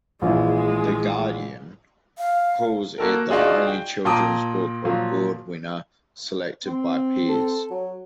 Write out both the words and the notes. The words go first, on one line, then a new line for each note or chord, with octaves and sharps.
"The Guardian" calls it the only children's book award winner selected by peers.
A#1 E3 G#3
F5
A#3 F#4 A4 A#4
D4 D#4 F4 F#4 G#4
G5
A#2 G5 A5 A#5 D6 D#6
A#2 F3 F#3
C4
A4
F#3